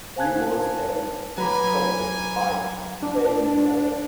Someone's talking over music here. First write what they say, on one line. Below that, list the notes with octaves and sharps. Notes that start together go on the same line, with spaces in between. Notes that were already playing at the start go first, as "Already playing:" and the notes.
He was then scouted by Feyenoord.
C5 F5 G#5 A5 F#6 G#6
F#3 B4 G#5 A#5 B5 D6
D4